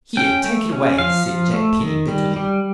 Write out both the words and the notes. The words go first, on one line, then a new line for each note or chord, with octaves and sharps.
"Here, take it away!" said Jack Penny bitterly.
C#4 G5
A3
C#4
F3 F5
F3
A3
D#3
G3
G3